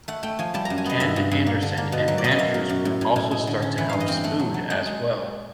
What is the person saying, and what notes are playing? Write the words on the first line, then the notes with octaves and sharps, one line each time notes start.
Ken Anderson and Mandrews would also start to help Spud as well.
A3 F#5
A3 G5
F3 G#5
G3 A5
F#2 A#5
G#5
B3 D#5
G2 E5
G2
G2
A#3
D3
A#3
B2
F#3
D5
B2 D#5
E5
F#2 F5
F#3
F#2
A2
A2
A2
G#3
D3
C#4
E3 F#5
G2 F5
D#5
C4 G5
A3 F#5
F#3
F#3
G#3 F#5
G#3